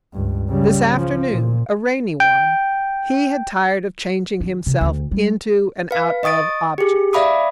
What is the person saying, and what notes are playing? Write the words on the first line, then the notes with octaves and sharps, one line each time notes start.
This afternoon, a rainy one, he had tired of changing himself into and out of objects.
C#2 G2
C#3 G3
F3
A#2
G5
D#3
C3
D2
G3
B4 F5
D#5 C#6 D#6 A6 D7
G4 G#4
D5 E5 F5 B5 D6 D#6